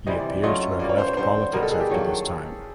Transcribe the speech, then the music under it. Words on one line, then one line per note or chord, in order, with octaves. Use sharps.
He appears to have left politics after this time.
C3 E3 G3 D#5
D5
F#3 A3 C#4 F4 D#5
A#2 G3 A#3 D5
C#5
C5
C#5
D3 G3 C4 C5
B2 G3 B3 A#4
A4
G#4
G4
D#3 F#3 A#3